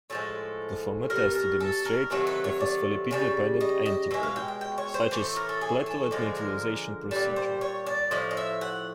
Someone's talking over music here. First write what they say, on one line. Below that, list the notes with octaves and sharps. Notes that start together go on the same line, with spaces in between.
Perform a test to demonstrate a phospholipid-dependent antibody, such as a platelet neutralization procedure.
A2 F3 G#3 A4
B2 G3 A#4
A#4
A4
A#4
C3 D#3 F#3 A3 B4
B4
C#5
D5
C#3 E3 G3
D#5
D#5
B2 G#3 E5
F5
G5
G5
G5
C#5
C5
A2 E3 A3 C5
A#4
A4
G#4
A4
D3 F3 G#3
A#4
A#2 G3 B4
C5
C#5
D5
A2 F3 D#5
D#5
E5
F#5